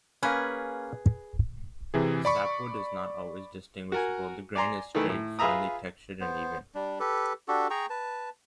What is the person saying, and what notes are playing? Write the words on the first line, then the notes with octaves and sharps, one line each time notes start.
The sapwood is not always distinguishable The grain is straight, finely textured and even.
A#3 C#4 G#4 B4
C3 E3 G#4
D5 B5 C#6
F#4 A#4 G#5
D5 G#5 A#5 C6
D#3 E3 A3 E4
A2
F4 G#4 B4 E5 A#5 D#6
B3 C5
G3 D4
G4 A4 B4
D4 F#4 G4 A4
G#4 G5 A#5 C#6
B4 A5